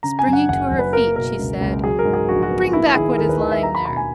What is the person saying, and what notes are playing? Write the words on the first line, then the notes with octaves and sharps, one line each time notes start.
Springing to her feet, she said: "Bring back what is lying there."
C#3 A#5
G#5
F#2
F#5
F#1 F#5
F#1
B4
A#3 A#4
B2 A#4
C#2
C#2
F#3 G#4
A#4
G#2
G#4
A#1 F#4
F#4
B3
A#3 E4
D#3 G#4
D#2 A#4
B4
D#2 D#5
E5
A#3 A#5
B5
B2 B5
G#5